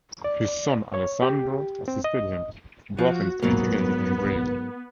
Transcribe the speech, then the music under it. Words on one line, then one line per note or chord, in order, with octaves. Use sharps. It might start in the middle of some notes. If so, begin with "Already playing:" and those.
His son Alessandro assisted him both in painting and in engraving.
D5
C#5
G4
C4
D#5
F3 F#4
G#2 F#3 A#3 B3